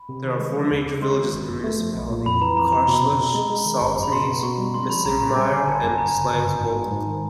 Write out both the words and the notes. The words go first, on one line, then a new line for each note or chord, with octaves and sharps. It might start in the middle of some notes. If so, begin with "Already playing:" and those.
There are four major villages in the municipality: Karlshus, Saltnes, Missingmyr, and Slangsvold.
Already playing: B5
C3
D#3
G#3
F3
D#2
C#3
G#3 C6
D#3
G1
F#2
A3
F3
B1
A#2
F2 B5
E3 A#5
F2 A#5
C3 A#5
B2 B5
C4
B2
G#3
G#3
D#3
G#1
F#2
B5
B2 C6
B3
B2 C#6
G3
G#3 C6
F3 B5
B1 A#5
A#2 A#5
G3 G#5
D3 G#5
G#1 A5
F#2
A5
G1 A#5
C#3
G1
F#2
G#2
G#3
G#2
D#3